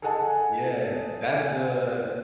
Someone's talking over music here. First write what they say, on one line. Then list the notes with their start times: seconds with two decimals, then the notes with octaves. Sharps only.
Yeah. That's a
0.02 G#4 A4 D#5 F#5 G#5 A5